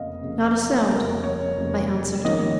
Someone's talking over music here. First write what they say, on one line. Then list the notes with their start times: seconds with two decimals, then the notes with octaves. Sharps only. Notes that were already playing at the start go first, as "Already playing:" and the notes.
"Not a sound!" I answered.
Already playing: F1 F2 C#3 A#3 D#5 F5
0.23 F1 F2 C#3 A#3
0.89 F1 F2 C#3 A#3 A#4
1.23 C#5
1.58 F1 F2 C#3 A#3
2.24 A#1 G#2 D#3 A#3 C#4 D#5